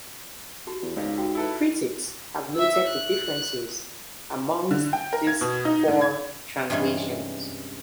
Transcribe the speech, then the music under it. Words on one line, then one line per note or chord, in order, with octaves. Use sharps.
Critics have noted the differences amongst these four translations.
D#4 F#4 G4
E2
C#2 G#2 C#5 D5 F5
F#4 G4 G5
E4 A4 B4
E5 E6
F#6
D3
G5
A#4
G#6
B2
D#4
G#2
G#6
G2 C3 E3 G#3 C#4